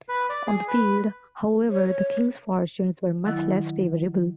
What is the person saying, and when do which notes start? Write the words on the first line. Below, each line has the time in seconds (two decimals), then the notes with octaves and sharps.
On the field, however, the Kings' fortunes were much less favorable.
0.09 B4
0.29 D5
0.47 G#4
0.68 B4
1.71 C#5
3.25 D#3 F#3 E4